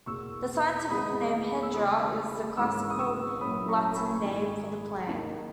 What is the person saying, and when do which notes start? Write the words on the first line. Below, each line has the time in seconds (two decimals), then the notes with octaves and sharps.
The scientific name "Hedera" is the classical Latin name for the plant.
0.06 E2 B2 A#3 C#6 E6
0.90 E2 D#3 G#3 B3 D#4 B5 D#6
1.62 E6
1.74 C#2 C#3 E3 B5 D#6
2.57 G#1 G#2 E3 A#3 C#4 C#6 E6
2.90 D#6
2.99 C#6 E6
3.41 A#2 F#3 A#3 C#4 E4 B5 D#6
3.68 A#5 C#6
3.96 G#5 B5
4.15 C#6
4.24 G#1 G#2 D#3 G#3 G#5 B5
5.07 D#2 D#3 A#3